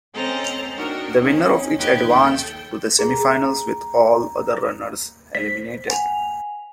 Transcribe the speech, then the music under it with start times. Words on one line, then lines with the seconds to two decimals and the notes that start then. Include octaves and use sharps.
The winner of each advanced to the semifinals, with all other runners eliminated.
0.13 C4 C#4 A4 C5 D#5 A#5
0.75 D4 D#4 F#4 A#4 D#5 G5
1.20 C4 C#4 D#4
1.77 D#2 D#4 G4 B4 G6 G#6
2.08 A4 G5
2.99 G#4 A#5
5.35 C5 B6
5.87 F#5 G#5 F7